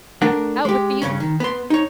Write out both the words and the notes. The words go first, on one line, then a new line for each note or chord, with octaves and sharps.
Out with the oof.
A3 D4 A#4 F#5
G#3 G4
G2 C#3 C#4
D#3
B3 C6
D#4 C#5